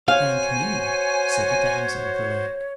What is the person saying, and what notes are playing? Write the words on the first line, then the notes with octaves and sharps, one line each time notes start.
Thank me, said the Damosel of the Lake.
F#4 C5 C#5 F5 G#5